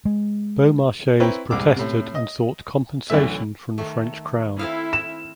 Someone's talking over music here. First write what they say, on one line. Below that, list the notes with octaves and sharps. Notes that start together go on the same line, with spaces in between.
Beaumarchais protested and sought compensation from the French Crown.
G#3
C4 E4 B4 C#5 G5 A#5
C2 G#2 D6 E6
A2 C3
D#5
B1 F#2 D3 E3 A3 E5
D#3 A3
C4 E4 A4 F5
E7